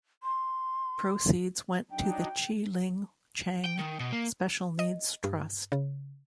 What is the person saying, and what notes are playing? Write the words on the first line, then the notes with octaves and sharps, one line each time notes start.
Proceeds went to the Chi Ling Cheng Special Needs Trust.
C6
F#3 D4 D#4 G5
G5
D#3
B2
A#3
D#5
G2
C#3